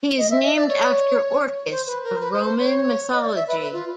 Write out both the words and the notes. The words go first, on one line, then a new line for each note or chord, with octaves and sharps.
He is named after Orcus of Roman mythology.
D#5
E5
D#5
D5
C#5
C5
B4
A#4
C5
B4
C5
C5
C#5
D#5
D5
E5
B4
B4
F4